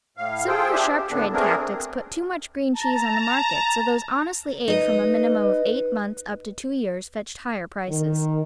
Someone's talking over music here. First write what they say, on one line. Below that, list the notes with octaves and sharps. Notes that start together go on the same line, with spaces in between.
Similar sharp-trade tactics put too much green cheese on the market, so those honestly aged from a minimum of eight months up to two years fetched higher prices.
A2 F5
F4 G#4 A4 C5 G5
D4 G4 G#4 C5 E5
G4
A2 D3 B3 D4
A3 B3 C4 D4 G#4 A#4
A5 A#5
D#4 B4 D#5
D#3